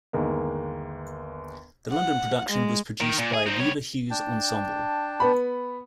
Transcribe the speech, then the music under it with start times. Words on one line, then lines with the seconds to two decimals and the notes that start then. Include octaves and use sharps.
The London production was produced by Weaver Hughes Ensemble.
0.13 G1 D#2 G#3 A#3
1.91 F#5
2.50 G#3
3.01 D#3
3.19 A#2
3.34 G#4
3.47 C4 D#4
3.60 G3 C#5
4.11 D4 G5 A5
5.20 B3 B5